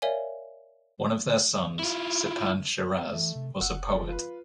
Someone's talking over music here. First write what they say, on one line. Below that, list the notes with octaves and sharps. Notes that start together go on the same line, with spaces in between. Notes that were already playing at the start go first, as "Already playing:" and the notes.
One of their sons, Sipan Shiraz, was a poet.
A#4 C#5 D5 E5 F5 G#5
E4 F4
E3 A3
C3
F1 F#5 E6
F3 G#3
F4 B4